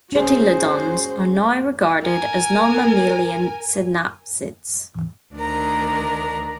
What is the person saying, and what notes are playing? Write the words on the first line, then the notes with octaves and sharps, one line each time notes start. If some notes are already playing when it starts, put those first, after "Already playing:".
Tritylodons are now regarded as non-mammalian synapsids.
C#4 F#4 G#4 C5
A#4 G#5
D2 D#3 D4 A#4 A#5